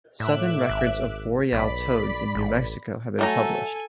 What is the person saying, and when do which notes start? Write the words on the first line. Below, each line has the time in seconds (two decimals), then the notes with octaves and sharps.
Southern records of boreal toads in New Mexico have been published.
0.20 A2 E5 D6 F#6
0.69 G#1
1.52 B1 D5 B5 B6
2.35 A1
3.19 F#3 A3 A4 G#5 A#5